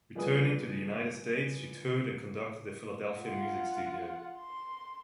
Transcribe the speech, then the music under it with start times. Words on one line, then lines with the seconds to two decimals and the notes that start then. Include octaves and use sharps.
Returning to the United States, she toured and conducted a Philadelphia music studio.
0.15 F3 G3 B3 G#4 B4 D#6
3.19 F4 F#5
4.37 C6